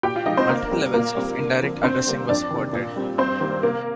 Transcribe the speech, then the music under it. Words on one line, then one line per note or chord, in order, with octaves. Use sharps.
Multiple levels of indirect addressing were supported.
A#2 G4 G5
F4 F5
F3 G#3 D#4 D#5
C4 C5
D3 A#3 A#4
G3 C4
A#2 A#3 A#4
G3 C4
D3
F3 C4
D3 C4 C5
G3 A#3
F2 D4 D5
D#3
C3
A#2
G3 C4
G2 C4 C5
D#3 G3 A#3
C3 A#3 A#4